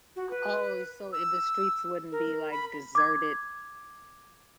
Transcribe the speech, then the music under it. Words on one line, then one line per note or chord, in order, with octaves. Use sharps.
Oh, so the streets wouldn't be like deserted
F#4
B4
E6
A#4
B5
D6 G#6